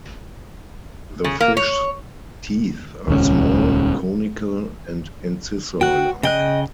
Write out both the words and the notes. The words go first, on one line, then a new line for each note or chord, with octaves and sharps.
The fish's teeth are small, conical, and incisor-like.
C#3
A#3
C#5
D#1 C#2 C#3 C#4
F#4 G5 F#6
C#3 D#5 G5 F#6